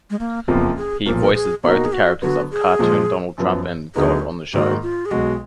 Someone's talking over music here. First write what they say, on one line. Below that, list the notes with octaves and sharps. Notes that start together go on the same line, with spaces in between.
He voices both the characters of "Cartoon Donald Trump" and "God" on the show.
G#3
A#3
F#1 F2 F3 A#3 B3 F4
G#4
B1 A#2 F3 A#3 A#4
A#4
G#4
B2 A#3 D#4 F#4 A#4
G#4
F#4
D3 F#3 B3 F#4
G#4
A#2 F3 G#3
F#2 F3 B3
D2 D3 F#3 B3 D#4 G#4
G#2 D#3 A#3 F#4
F4
G#4
B1 B2 G#3 F#4